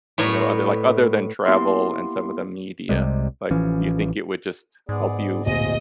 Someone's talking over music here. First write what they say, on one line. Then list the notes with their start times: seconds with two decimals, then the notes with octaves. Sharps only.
you know, other like, other than travel and some of the media, like, do you think it would just help you
0.18 A2 B3 C#5 D5 A#5
1.45 A#3 B3 E4 G4 C6
2.89 C2 C3 G3 G#3
3.51 A1 E3 F3 C#4
4.89 G#2 B3 G#4 D5
5.46 D1 A#1 F4 G#4 D#5 G#5